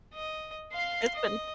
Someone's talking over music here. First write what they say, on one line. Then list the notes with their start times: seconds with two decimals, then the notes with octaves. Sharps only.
It's been
0.14 D#5
0.72 F5 C6
1.15 D#5